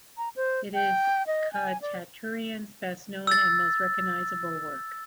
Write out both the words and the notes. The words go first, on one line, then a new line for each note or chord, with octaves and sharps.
It is Khachaturian's best known and most recognizable work.
A#5
C5
G5
D#5
G#5
D5
E6 A6